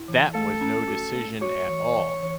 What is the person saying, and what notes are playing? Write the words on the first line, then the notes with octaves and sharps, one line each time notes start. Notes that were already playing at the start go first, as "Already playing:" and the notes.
That was no decision at all.
Already playing: E4
E3
A3 A4
C#4
F#4
A3
F#4 C#5
E3
E3
E3